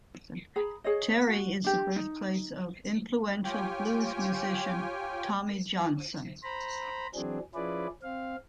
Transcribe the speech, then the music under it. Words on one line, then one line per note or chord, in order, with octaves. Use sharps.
Terry is the birthplace of influential blues musician Tommy Johnson.
G#4 A#5 B5
G#4 C#5 D#5
F#4
D4 G4
D#4
F4 G4 C#5 G5 G#5
C5 A#5 B5
E3 F#3 C4 D4 G#4
F3 C#4 E4 G#4 B4 D5
C4 F5